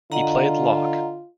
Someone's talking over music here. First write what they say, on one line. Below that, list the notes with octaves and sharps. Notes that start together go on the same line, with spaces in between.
He played lock.
D3 F4 D#5 F#5 A#5